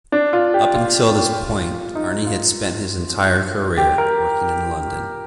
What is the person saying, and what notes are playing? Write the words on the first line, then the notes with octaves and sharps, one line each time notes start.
Up until this point Arne had spent his entire career working in London.
D4
F4
G4
F4
D#4
F4
G4
A#4